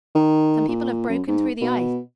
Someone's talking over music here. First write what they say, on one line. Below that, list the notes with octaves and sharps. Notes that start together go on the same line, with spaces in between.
Some people have broken through the ice.
D#3
A#2
F#2
G#2
B2